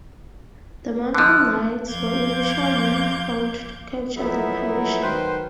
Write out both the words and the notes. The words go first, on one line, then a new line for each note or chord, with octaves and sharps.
The Marvel Knights were initially formed to capture the Punisher.
D3 F3 F#6
F2 C4 F5 D6 G6 G#6
F3 F#3 A3 B3 D#4 E4
D#3 F#3 B4 C5